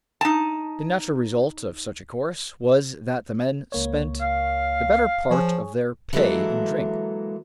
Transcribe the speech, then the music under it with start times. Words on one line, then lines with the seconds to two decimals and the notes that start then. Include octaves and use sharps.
The natural result of such a course was that the men spent the better part of their pay in drink.
0.21 D#4 A5
3.72 C#2 A#3 C#5
4.21 F5
5.31 F3 G#4 C#5
6.13 E3 F#3 G#3 A#3 A4 A#4